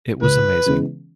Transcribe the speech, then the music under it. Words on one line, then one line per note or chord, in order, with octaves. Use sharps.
It was amazing.
C#2 B4
C#3 E3 G#3 B3